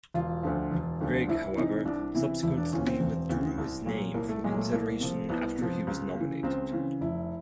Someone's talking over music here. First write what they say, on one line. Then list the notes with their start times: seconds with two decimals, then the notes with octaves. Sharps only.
Gregg, however, subsequently withdrew his name from consideration after he was nominated.
0.14 E1 F4
0.43 D2 D3 F3
0.71 E1
1.01 D2 D3 F3
1.28 C2 E4
1.57 C3 E3 D#4
1.85 C2 D4
2.15 C3 E3 E4
2.43 E1 E4
2.57 D4
2.72 D2 C#3 E3 C#4
2.86 C4
3.00 E1
3.29 D2 C#3 E3
3.58 C2
3.86 A#2 F#3
4.14 C2 A#3
4.29 A3
4.44 A#2 F#3 G#3
4.57 A3
4.72 C2 A#3
5.00 C3 F3
5.29 C2 B3
5.58 C3 F3
5.87 C#2
6.15 C#3 E3
6.43 C#2 C4
6.72 C#3 E3
7.01 F1 E4